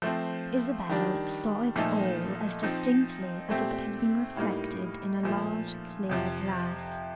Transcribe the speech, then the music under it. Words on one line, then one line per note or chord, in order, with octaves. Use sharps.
Isabel saw it all as distinctly as if it had been reflected in a large clear glass.
F3 A3 C4
D#3 G3 D4
A#2 F3 A3 D#4 A4
F3 C4 D#4
A#2 A3 C4 G4
A2 G3 A#3 D#4
A#2 F3 A3
F2 C3 F3